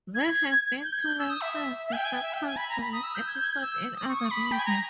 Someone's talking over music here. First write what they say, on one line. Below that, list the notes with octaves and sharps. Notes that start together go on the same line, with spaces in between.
There have been two licensed sequels to this episode in other media.
G#6
G6
G#6
G6
E6
D#6
E5
E5
E5
G#5
G5
G#5
G5
E5
G5
G#5
B5
A#5
B5
D#6
E6
G6
G#6
G6
G#6
G6
E6
D#6
C#6
D#6
B5
G5
G#5
A#5